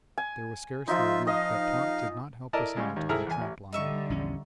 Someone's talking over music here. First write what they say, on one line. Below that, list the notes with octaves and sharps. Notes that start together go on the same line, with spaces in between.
There was scarcely a week that Pont did not help us out on the trap line.
G#5
F3 D#4 F4 E5
D#4 D#5 F5 D#6
E4 A4 A#4 D5 D#5 A5
C#3 G3 G#3
D#2
C2 E4 G#4 A4 A#5 F6
E2 G#5
A1
D3 G3 D#4 E5 C#6
A#1 E2 C#4